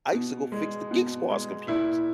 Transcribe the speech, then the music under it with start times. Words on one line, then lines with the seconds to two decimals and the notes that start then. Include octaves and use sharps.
I used to go fix the Geek Squad's computers.
0.13 B2
0.52 G#3
0.91 B2
1.30 G#3
1.68 A#2 E4